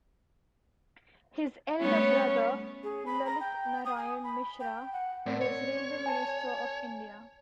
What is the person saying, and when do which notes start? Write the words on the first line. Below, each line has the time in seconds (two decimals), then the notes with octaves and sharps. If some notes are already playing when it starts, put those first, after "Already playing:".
His elder brother, Lalit Narayan Mishra, was Railway Minister of India.
1.80 G3 A3 B3 C#4 C#5
2.83 G#4
3.06 B5
3.25 A#5
3.39 G5
3.85 D#6
3.96 G#5
4.23 B5
4.60 G5
4.92 F#5
5.26 A2 C4 A#4 D5
5.41 C#5
6.06 G#5 A5